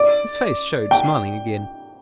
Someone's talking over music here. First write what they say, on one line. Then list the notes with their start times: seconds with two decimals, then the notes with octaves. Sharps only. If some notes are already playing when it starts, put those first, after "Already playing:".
His face showed smiling again.
Already playing: D5
0.91 G5